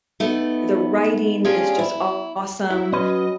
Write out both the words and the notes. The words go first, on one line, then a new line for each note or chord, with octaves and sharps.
the writing is just awesome,
A3 B3 D#4
G#3 C#4 D4 F4 G4 G#4
E4
E4
F#3 C#4 B4 D#5